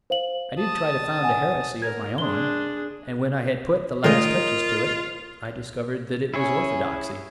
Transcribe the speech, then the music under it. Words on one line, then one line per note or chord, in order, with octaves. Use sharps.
I did try to found a heresy of my own; and when I had put the last touches to it, I discovered that it was orthodoxy.
C5 F5 F#7
A5 D#6
F#5 G#5
A#4 G#6
D4 G#4 C6 G7
A2 D#3 G#3 F4 A#4 D#5
C#4 E4 G#4 C#5